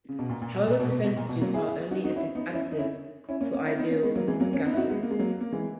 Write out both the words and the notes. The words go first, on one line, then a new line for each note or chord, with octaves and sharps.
However, percentages are only additive for ideal gases.
C#3
B2
A#2
A#2
B2
A#2
B2
B2
B2
A#2
B2
F#3 A#3
E4 G#4
E4 G#4
D#4 F#4
D#4 F#4
C#4 E4
B3 D#4
C#4 E4
D#4
C#4 E4
C#4 E4
A#3 C#4
A#3 C#4
C#4 E4
B3 D#4
A#3 C#4
G#3 B3
F#3 A#3
E3 G#3
F#3 A#3
A#3 C#4
B3 D#4
E4
D#4 F#4
G#3 B3
A#3
G#3
F#3 A#3
A#3
E3 G#3